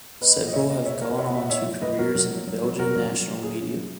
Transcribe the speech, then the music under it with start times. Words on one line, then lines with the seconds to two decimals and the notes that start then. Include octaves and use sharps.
Several have gone on to careers in the Belgian national media.
0.21 A#3 B4 D#5
0.37 A#2
0.47 D#5
0.53 A#2 C#5 E5
0.69 A#2 D#5 F#5
0.85 A#3 C#5 E5
1.01 E4 A#4 C#5
1.10 B4 D#5
1.17 A#2 C#5 E5
1.26 D#5 F#5
1.34 A#2 C#5 E5
1.42 D#5 F#5
1.50 E4 C#5 E5
1.66 F#3
1.82 F#3 B4 D#5
1.98 F#3 F#4 A#4
2.15 F#3
2.31 F#3
2.47 F#3
2.63 F#3
2.79 C#3 F#4 A#4
2.96 F#3
3.12 F#3
3.28 F#3
3.43 E4 G#4
3.60 C#4
3.75 F#3